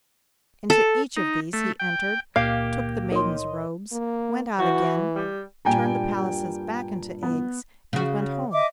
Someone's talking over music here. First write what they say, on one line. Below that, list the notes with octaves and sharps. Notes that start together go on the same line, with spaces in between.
Into each of these he entered, took the maidens' robes, went out again, turned the palaces back into eggs, and went home.
A4
D#4
A3
G5
C#2 A#2 D#3 A#3 G4 F5
D#4 A#4 C#5 D#5 C6
A#3
E3 F#4
G3
G2 A#2 G3 G5 G#5 A#5
B3
C#3 F#4
D#5 E5 D6